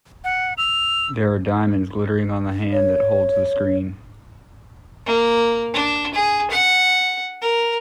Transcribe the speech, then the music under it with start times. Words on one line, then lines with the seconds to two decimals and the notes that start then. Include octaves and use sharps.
There are diamonds glittering on the hand that holds the screen.
0.24 F#5
0.58 E6 F7
2.73 C#5
5.06 A#3
5.73 D4
6.14 G#4
6.51 F#5
7.42 A#4